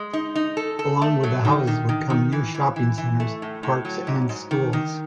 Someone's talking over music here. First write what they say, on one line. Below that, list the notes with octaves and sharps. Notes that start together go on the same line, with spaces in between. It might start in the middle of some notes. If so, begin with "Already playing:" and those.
Along with the houses would come new shopping centers, parks, and schools.
Already playing: G#3
D#4
D#4
A4
A4
A3
F#3
D#3
D#3
D#3
D#3
E3
E3
E3
E3
A3
A2
A2
F#3
G#2
G#2
D#3
D#3